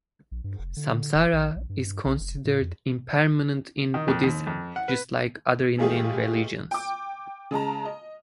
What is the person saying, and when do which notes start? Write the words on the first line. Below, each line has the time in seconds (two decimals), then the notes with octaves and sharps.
Samsara is considered impermanent in Buddhism, just like other Indian religions.
0.31 A#1
0.44 G2
0.59 F1
0.77 D3
1.15 E1
1.33 A#1
1.56 A#1
1.69 G2
2.05 B1
2.20 F1
2.45 A2
2.61 F2
3.94 D#3
4.08 F2
4.23 D#2
4.47 F2
4.76 F#5
4.88 B4
5.78 E3 G#3 A3 F4 G4 G#4
6.71 G5 D6
7.51 C#3 G#3 A5 A#5
7.85 D#5